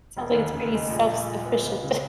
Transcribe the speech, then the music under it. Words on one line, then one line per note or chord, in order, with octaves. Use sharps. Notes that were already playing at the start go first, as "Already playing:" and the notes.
Sounds like it's pretty self-sufficient.
E1
D#2
C#3
G#3
A#1
A#2
G#3
B3
C#2
C#3